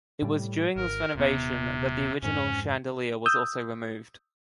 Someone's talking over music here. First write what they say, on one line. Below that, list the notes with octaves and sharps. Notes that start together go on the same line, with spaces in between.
It was during this renovation that the original chandelier was also removed.
A2 G3
G#1 A#4
D#1 C3 B3
F2 G#2 C#4
D#6 E6 G6